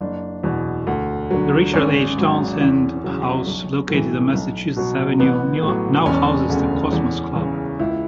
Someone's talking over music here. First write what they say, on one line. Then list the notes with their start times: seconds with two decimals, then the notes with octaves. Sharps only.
The Richard H. Townsend House located on Massachusetts Avenue now houses the Cosmos Club.
0.01 F#1 D4
0.44 E2 B2
0.87 D2
1.30 D3 F#3
1.73 G#1 C#4
2.18 G#2 F#3
2.61 E2
3.04 C#3 F#3
3.46 B1
3.90 A2 E3
4.34 B1
4.76 B2 F#3
5.20 A1 B3
5.63 A2
5.68 F#3
6.06 E1 C#4
6.50 D2 C#3
6.93 E2
7.36 C#3 E3
7.79 C#2 E4